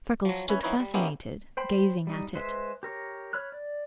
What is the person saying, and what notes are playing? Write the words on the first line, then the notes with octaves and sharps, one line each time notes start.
Freckles stood fascinated, gazing at it.
F3 F#3
C#4 E4 B4 C#5
F3 C4 D#4 E4 B4 C#5
G3
G#3 A#3 B3 C#4 E4 G4
C5 G5 B5
G3 D#4
G#3 B4 C5 E5
G4 A#4 C#5
C#5 B5 F6 F#6
D5